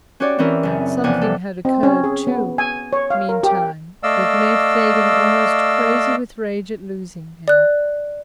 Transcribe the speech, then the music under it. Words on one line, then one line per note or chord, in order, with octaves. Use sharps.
Something had occurred, too, meantime, that made Fagin almost crazy with rage at losing him.
C#4 F#4 G4 C#5 D5
E3 C4 C#4 E4 G4 A#4
F#2 C#3
E2 C3 F3 D5 F#5 G#5
A4
C4
C#4
G#4
B3
G#5
C#5
F5
A#4
G4
A3 D5 D#5 F5 E6
D5 F#6